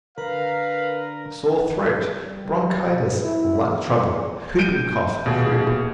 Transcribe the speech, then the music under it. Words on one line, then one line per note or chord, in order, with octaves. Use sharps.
Sore throat, bronchitis, lung trouble, whooping cough, croup.
D3 A#4 B4 F5 A#5
G3
B2
E4
D#3
G6 D7 D#7
D#1 B2 G#4